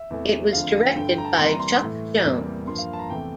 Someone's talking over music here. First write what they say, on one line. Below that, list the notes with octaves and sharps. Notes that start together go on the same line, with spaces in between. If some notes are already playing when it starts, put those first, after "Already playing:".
It was directed by Chuck Jones.
Already playing: E5
E2 C3 E3 A3
F2 D3 F3 A3 F5
G2 D3 A3 G5
G5
A#5
A5
C3 E3 G3 A#3 C6
A#5
C6
A2 E3 A3
E2 C3 G3 A#3
G2 F3 A#3 C6
F5
A5
A#5
E2 C3 E3 A3 G5